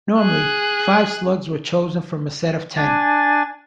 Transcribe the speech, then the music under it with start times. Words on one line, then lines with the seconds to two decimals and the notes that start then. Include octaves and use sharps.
Normally five slugs were chosen from a set of ten.
0.19 G#4 F#6
2.76 D4 G#5 A6